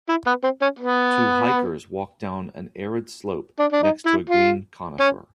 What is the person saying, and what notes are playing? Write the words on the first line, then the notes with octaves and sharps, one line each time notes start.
Two hikers walk down an arid slope next to a green conifer.
E4
B3
C4
C#4
B3
D4
D4
D#4
E4
F4
C#4